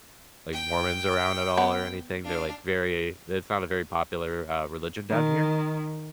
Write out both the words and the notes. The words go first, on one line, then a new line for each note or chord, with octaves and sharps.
like Mormons around at all or anything, they're like very it's not a very popular, uh, religion down here.
G5
B3
D4 F5
D#3